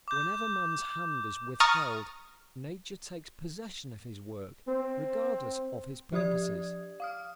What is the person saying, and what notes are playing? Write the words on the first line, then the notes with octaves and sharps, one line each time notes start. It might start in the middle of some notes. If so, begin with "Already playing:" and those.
Whenever man's hand is withheld, nature takes possession of his work, regardless of his purposes.
D6 G6
A#5 C#6 D#6 F6 A6
C4
F3 G4 D5 D#6 G#6
F5 D#6 F6